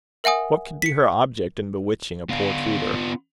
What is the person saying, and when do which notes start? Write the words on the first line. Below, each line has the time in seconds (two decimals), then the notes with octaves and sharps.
What could be her object in bewitching a poor tutor?
0.24 A#4 E5 F#5 G#5 D#6
0.82 B6 C#7
2.29 B3 F4